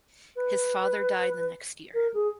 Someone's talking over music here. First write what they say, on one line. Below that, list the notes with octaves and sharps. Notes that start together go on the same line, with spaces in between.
His father died the next year.
B4
A#4
G#4